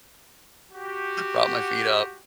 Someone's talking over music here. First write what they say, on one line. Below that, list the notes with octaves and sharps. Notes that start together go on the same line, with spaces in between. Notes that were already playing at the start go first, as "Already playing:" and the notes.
prop my feet up,
F#4 G4